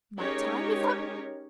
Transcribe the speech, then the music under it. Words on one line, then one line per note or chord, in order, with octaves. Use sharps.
My time is up.
G#3 C#4 D#4 G4 A#4 C#5